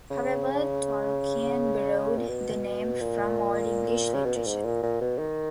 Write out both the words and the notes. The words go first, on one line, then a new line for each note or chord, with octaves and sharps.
However, Tolkien borrowed the name from Old English literature.
C#3
A#2
B2
A#2
C#3
B2
A#2
G#2
A#2
A#2
B2
D#3